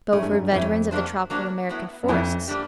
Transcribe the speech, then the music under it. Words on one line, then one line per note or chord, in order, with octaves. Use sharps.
Both were veterans of the tropical American forests.
G#2 A3 C#4 E4
G2
F#2
G2
F2 A3 C#4 E4
F#3 A#3 D4 G4 C5
F#3 A#3 D4 G4 C5
A2 F#3 B3 E4
F#2
F2 A2 F#3 B3 E4
G3 A#3 D4 G4